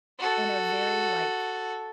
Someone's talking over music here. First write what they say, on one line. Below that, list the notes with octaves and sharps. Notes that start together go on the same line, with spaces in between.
in a very, like,
F#4 A4